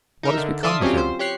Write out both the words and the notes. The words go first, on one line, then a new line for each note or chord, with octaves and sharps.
What has become of him?
D#4 A#4 E5
D3
A4 D5 E5 F5 C6 D#6
F#3 C4 C#4 F4 G4
C5
G4 C#5 F#6 C7